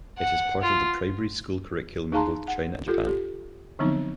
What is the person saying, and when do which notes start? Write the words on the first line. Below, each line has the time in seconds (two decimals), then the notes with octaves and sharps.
It is part of the primary school curriculum in both China and Japan.
0.19 F#5
0.62 F4
2.12 D#4 G#4 F5 A5 A#5 C6
2.48 F#5
2.88 F4 G4 A4
3.08 G4
3.79 D3 F3 F#3 B3 C4 D#4